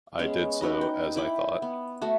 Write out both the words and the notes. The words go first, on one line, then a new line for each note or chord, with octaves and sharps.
I did so, as I thought.
G#3 B3 C#4
D#4 F#4 B4 D#5
G5
E4 G5 B5 D6
B3
A3 F#4